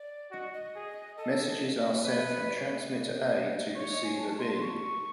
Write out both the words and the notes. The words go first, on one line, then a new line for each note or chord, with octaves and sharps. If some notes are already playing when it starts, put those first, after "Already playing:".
Messages are sent from transmitter A to receiver B.
Already playing: D5
F#4 D#5
D#5
G#4
A4 D#5
B4 D#5
E5
D#5
D5
D5
C#5
D5
E5
D5
D#5
D5
D#5
D#5
D#5
D5
C#5 D5
D#5
G#5
A5
A5
C6
C6
C#6